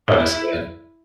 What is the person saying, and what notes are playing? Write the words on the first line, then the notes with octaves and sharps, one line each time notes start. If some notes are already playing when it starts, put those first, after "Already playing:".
Oh, that's good.
E4